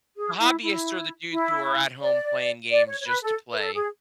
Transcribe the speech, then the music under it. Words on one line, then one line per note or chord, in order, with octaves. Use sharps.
The hobbyists are the dudes who are at home playing games, just to play.
G#4
E4
E4
E4
D5
D5
C#5
C#5
B4
A4
B4
A4
G#4